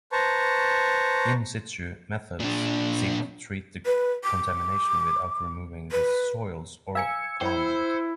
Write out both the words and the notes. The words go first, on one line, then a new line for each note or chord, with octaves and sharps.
In-situ methods seek to treat the contamination without removing the soils or groundwater.
B4 C5 A5 A#5 C#6
A#2 D4
B4
D6
B4
F5 G#5 E6 G#6 C#7
E4 C5 G5 B5